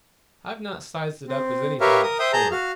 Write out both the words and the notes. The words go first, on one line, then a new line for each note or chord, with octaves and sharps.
I've not sized it up as anything of the sort.
C4
G4 A#4 B4 C#5 E5 F5
A#4 D#6
C5 E5 G5 D#6
G#4 A5 A#5 G6
F#4 F5 F6